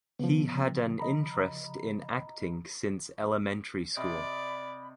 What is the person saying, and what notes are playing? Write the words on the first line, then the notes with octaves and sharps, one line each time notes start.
He had an interest in acting since elementary school.
C#3 F3 B3
D#5 A#5 B5
C3 D5 D#5 B5